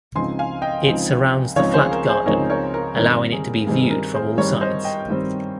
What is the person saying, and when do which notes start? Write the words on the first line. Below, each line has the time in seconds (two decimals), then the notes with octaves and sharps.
It surrounds the flat garden, allowing it to be viewed from all sides.
0.15 C#2 C#3 F3 C4 D#4 G#5 C6
0.39 F5 G#5
0.62 D#5 G5
0.85 C#2 C#3 F3 C4 D#4
1.56 C#2 C#3 F3 C4 D#4 C#5 F5
1.74 G#4 C5
1.91 A#4
2.09 G#4 C5
2.26 C#2 C#3 F3 C4 D#4 A#4 C#5
2.50 A#4 C#5
2.74 A#4
2.97 G2 D#3 G3 C4 A#4
3.32 G#4
3.67 G2 D#3 G3 C4 G#4
3.90 A#4
4.14 G#4 C5
4.37 G2 D#3 G3 C4 A#4 C#5
4.61 C5 D#5
4.84 D#5 G5
5.08 G2 D#3 G3 C4